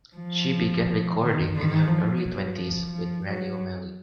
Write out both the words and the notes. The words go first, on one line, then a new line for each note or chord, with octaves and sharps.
She began recording in her early twenties with Radio Mali.
F3
D#3
D#3
F3
F#3
F3
F3
F#3